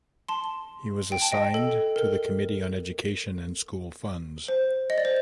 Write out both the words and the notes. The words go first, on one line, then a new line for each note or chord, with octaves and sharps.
He was assigned to the committee on education and school funds.
A5 C6
G5
A5
D#5 G5
A4
A#4
C5
D#5
D5
C5